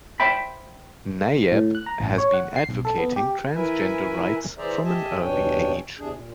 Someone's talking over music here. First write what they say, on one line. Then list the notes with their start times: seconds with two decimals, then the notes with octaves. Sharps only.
Nayab has been advocating transgender rights from an early age.
0.20 C5 E5 G5 B5
1.52 A2
1.75 F#6
1.86 A#5
2.00 A1
2.18 C#5
2.34 F#5
2.56 C7
2.69 B1
2.85 A4
2.98 B3
3.16 G4
3.55 E3 E4 A#4 B4 E5 G#5
4.58 E3 G#4 C5 D5 E5 A#5
4.84 G4 D#5 E5 G#5 A5
5.22 D#2 B2 D4 C#5 G5 G#5
5.99 E2 C3 D4 G#4
6.14 A#2